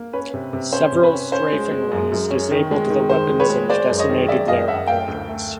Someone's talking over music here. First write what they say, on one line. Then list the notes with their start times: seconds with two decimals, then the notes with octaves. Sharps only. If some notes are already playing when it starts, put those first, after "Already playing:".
Several strafing runs disabled the weapons and decimated their operators.
Already playing: A#3
0.13 C#4 B4
0.34 C3
0.53 C3
0.72 C#4 C5
0.92 C3
1.03 B4
1.13 C#4
1.32 C#4 C5
1.53 G#3
1.71 G#3
1.92 F#2
2.12 F#2
2.30 C#4
2.51 D#3
2.71 G#3
2.90 D#3
3.10 D#3 C5
3.29 G#3
3.40 B4 C#5
3.49 G#3
3.70 G#3 C5 D5
3.90 F#2
3.98 C#5 D#5
4.09 D#3
4.28 F#2 D5 E5
4.48 F#2 D#5 F5
4.68 F#2 E5 F#5
4.87 A3 F5 G5
5.08 D2
5.28 A3